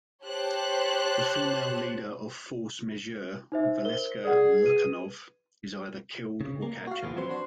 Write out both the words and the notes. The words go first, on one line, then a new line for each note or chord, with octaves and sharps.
The female leader of Force Majeure, Valeska Lukanov, is either killed or captured.
G4 C5 C#5 A5 F#6
D#4 C5 E5
A#4 C5 G7
G#4 D5 F#5
B4 D#7
C#3
A#3
F#4 F5
E2 A#2 E3 F3 B3
E3 F#3 C4 B4 C5
D4 F#4 C5